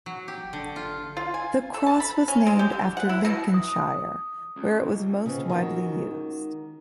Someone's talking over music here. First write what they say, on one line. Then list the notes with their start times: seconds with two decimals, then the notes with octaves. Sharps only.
The cross was named after Lincolnshire where it was most widely used.
0.06 F#3
0.28 G4
0.53 D3
0.76 F4
1.17 F4
1.34 G#5
1.74 A4
1.86 A5
2.00 B5
2.28 C#4
2.47 G#3
2.59 G4
2.72 D3
2.97 F#5
3.09 E4
3.25 B2
3.54 D#6
4.56 C#2
5.26 C#3 B3 C4
5.49 D#3 F#4